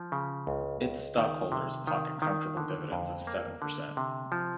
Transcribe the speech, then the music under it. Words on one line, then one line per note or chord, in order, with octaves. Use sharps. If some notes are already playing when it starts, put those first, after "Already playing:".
Its stockholders pocket comfortable dividends of seven per cent.
Already playing: F3
C#3
C#2
C#2
D#3
C3
D#3
D#3
D3
F2
A#3
D3
C3
F3